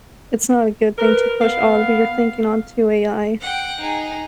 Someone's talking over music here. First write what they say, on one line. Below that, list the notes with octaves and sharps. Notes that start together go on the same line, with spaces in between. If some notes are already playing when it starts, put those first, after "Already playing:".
it's not a good thing to push all of your thinking onto AI
A#4 B4
B3 F5
F#5 G5
D#4 G#4